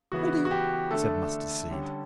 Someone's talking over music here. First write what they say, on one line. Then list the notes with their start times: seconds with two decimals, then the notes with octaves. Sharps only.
"Ready," said Mustardseed.
0.12 C#3 E3 B3 F#4
0.45 F#4
0.51 G4
0.91 D3 A3 D4 A4
1.70 D3 G3 C#4